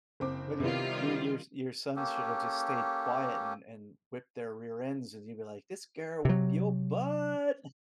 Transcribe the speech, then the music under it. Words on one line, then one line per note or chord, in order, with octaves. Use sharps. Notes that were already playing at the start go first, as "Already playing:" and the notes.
But your your your your your sons should have just stayed quiet and and whipped their rear ends, and you'd like, "This girl whip yo butt!"
F#1 C4 D6
C3 D#3 G3 B3 E4 F4
A#3 C#4 G4 A4
C3 F#3